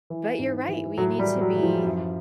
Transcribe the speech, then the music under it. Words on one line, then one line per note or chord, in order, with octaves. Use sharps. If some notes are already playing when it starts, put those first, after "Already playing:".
But you're right. We need to be,
E3
G#2
E3
A2 F#3
G3
E3
F#3
E3
F3
F#2